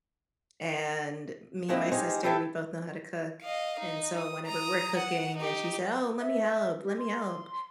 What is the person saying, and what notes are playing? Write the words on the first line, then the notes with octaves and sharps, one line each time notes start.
And me and my sister, we both know how to cook, and so whenever we're cooking, and she said, "Oh, let me help, let me help."
D3 G#3 A#3 C4 E4
G#3 C#4 D#4 G4 C5
E4 G4 A4 B4 G5
D#5 F5
D#4
D#6
A#5 D#6
F#5
D#4 G4
E5
G4
C6